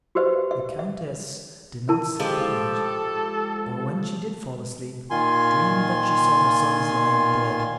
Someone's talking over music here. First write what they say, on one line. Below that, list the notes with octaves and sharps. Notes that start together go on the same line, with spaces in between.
The countess did not sleep at night, or when she did fall asleep dreamed that she saw her sons lying dead.
F#4 G4 B4 C5 E5
E5
E5
E4 A#4 A5
F3 G#3 G4 A4
A#2 D#3 F4 G#5 C6